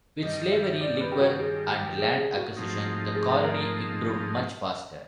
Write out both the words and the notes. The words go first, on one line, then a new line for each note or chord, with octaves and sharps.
With slavery, liquor, and land acquisition the colony improved much faster.
G2 D#3 G3 D#5
E5
D5
B4
G4
F#4
G#4
G4
G#4
G#4
F#4
G#2 F3 A3 C4 D#4
G#4
A#4